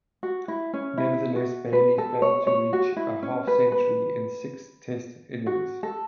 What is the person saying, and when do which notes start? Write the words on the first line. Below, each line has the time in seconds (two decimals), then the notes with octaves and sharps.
Nevertheless, Bailey failed to reach a half-century in six Test innings.
0.23 F#4
0.48 E4
0.74 C#4
0.98 E4
1.36 F#4
1.73 B4
1.98 A4
2.22 C#5
2.47 C#5
2.73 F#4
2.97 E4
3.23 C#4
3.47 B4
3.72 B4
5.46 F#4
5.83 A4